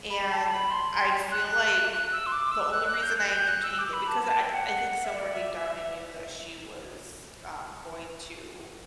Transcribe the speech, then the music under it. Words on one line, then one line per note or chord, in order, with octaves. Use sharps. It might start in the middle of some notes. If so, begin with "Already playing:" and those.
And I feel like the only reason I entertained it because I I think somewhere deep down, I knew that she was, um, going to
B5
A5
B5
C6
C6
F#6
F#6
E6
C6
D6
E6
F#6
F#6
G6
F#6
G6
F#6
E6
D6
B5
A5
A5
G5
F#5
E5
D5
E5
E5
E5